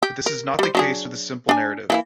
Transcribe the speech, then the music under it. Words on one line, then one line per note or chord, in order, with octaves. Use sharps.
But this is not the case with a simple narrative.
G4
A#4
G3 C5
F#3 D4 G#4
D4 G#5
E3 A#3 E4